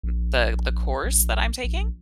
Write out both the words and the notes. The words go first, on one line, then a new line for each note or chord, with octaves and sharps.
m the the course that I'm taking,
A#1
A#1
A#1